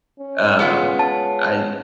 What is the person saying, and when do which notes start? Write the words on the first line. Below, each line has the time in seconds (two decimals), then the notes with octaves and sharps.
Um, I
0.19 C#4
0.59 G#3 B3 F4
0.99 C#4 A5